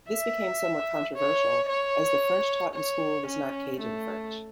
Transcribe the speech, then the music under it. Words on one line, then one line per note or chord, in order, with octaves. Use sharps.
This became somewhat controversial as the French taught in school was not Cajun French.
E5
C#5
C#5
C#5
C#4
A3